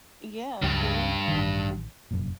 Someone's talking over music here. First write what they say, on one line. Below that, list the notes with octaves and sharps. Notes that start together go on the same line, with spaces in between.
Yeah, see.
C#2 G2 G4
A1 D#3
F1 F#2 A#2